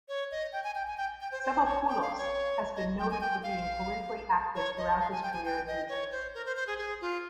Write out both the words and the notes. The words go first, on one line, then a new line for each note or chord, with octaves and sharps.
Savvopoulos has been noted for being politically active throughout his career in music.
C#5
D#5
G5
G#5
G5
G#5
G5
G5
C5
C5
C#5
G5
F5
C#5
D#5
G5
G#5
G5
F5
C#5
D#5
F5
G#5
G5
G#5
G5
D#5
C#5
C5
A#4
C5
C5
G#4
G#4
F4